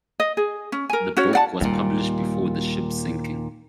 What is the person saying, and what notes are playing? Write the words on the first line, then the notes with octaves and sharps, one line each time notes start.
The book was published before the ship's sinking.
D#5
G#4
C#4
A#4 G#5
C#4 F#4 C#5
D5 F#5 A5
D#2 A#2 G3